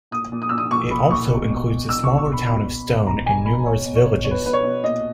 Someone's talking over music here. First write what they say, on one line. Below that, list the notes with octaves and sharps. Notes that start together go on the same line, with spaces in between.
It also includes the smaller town of Stone and numerous villages.
A#2 D#6
A#2
D#6
A#2 E6
D#6
A#2 C#6
A#2 B5
A#2 C#6
B2
B2
B2
B2 E6
B2 C#6
C#6
B2
B5
B2 B5
B2
B2
B2 A#5
B2 G#5
B2 B5
B2 C#5
B2
C#5
B2
B2 C#5
B4
B2 B4
C#5
B2
A#2 D#5